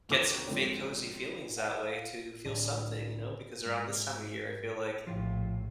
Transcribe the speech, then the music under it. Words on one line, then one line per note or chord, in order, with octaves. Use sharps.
get some fake cozy feelings that way, to feel something, you know? Because around this time of year, I feel like
D#2 D3 F3 G4 D6 D7
A#1 G#2 D3 A#3 C4 C#5
F5 F#5
C2 A2 D3 D4
G#2
A#1 A2 F3 F4 G4